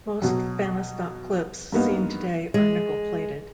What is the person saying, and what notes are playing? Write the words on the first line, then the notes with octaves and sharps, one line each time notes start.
Most Fahnestock clips seen today are nickel-plated.
B2 F#3
G2 A#3 B3 D#4
G#3